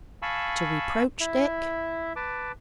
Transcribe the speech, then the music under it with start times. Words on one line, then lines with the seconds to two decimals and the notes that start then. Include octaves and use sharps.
To reproach Dick?
0.22 F5 G#5 A5 B5 C#6 E6
1.20 E4 E5
2.16 B4 A5 D6